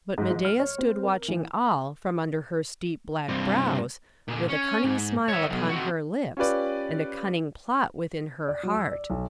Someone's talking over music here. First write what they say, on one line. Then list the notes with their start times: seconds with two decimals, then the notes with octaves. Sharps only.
But Medeia stood watching all, from under her steep black brows, with a cunning smile upon her lips, and a cunning plot within her heart.
0.18 G#2
0.30 F3
0.45 F6
0.60 C#5
0.78 C4
1.03 A#4
1.28 E3
3.29 G2 C3
4.28 A#2 D3
4.48 C#4
4.84 G#2
5.28 C#5 E5
5.50 B1
5.70 C4 F#4
6.37 C#4 F4 G4 B4 D5
8.48 D5
8.63 F#3
8.74 E6
8.92 D5
9.10 B1